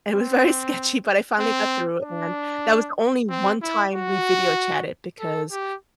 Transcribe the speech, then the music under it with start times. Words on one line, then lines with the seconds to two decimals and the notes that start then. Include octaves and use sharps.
It was very sketchy, but I finally got through, and that was the only one time we video chatted because
0.13 C4
1.39 C4
2.03 D4
3.30 C4
3.62 E4
3.93 F#4
5.20 A4
5.52 G4